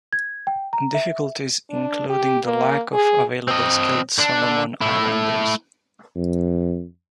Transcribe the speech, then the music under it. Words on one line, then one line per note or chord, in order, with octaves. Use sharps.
Difficulties include the lack of available skilled Solomon Islanders.
G#6
G5
A#5
E5
D4
G4
A#3
G#4
C4 D#5
D3 D4
A3 E4
F2